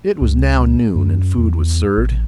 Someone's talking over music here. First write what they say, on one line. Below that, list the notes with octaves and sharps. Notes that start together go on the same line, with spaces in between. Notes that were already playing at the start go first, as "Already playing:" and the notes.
It was now noon, and food was served.
C#2
F#2
E2
A1